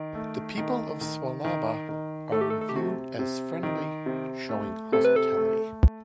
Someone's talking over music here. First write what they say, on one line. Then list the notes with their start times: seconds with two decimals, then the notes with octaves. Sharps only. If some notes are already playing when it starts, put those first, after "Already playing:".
The people of Swalaba are viewed as friendly, showing hospitality.
Already playing: D#3
0.15 A3
0.58 D#3
1.01 D#3
1.44 D#3
1.89 D#3
2.32 A3 A4
2.41 G4
2.50 A4
2.61 A4
2.69 G4
2.76 C3 F#4
3.19 C3
3.63 D#3
4.06 C3
4.49 A3
4.92 C3 A4
5.05 B4
5.16 A4
5.37 A3